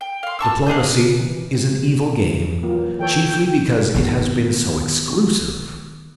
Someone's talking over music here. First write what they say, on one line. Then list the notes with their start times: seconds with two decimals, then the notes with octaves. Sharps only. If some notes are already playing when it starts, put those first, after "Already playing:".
Diplomacy is an evil game, chiefly because it has been so exclusive.
0.01 G5
0.23 F5 C6
0.39 A5 C#6 E6
0.66 A#3 D4 D#5 G6
1.19 E3
2.63 E3 F#3 A#3 F4
2.99 E3 A4 C#5 G5
3.94 D#3 B3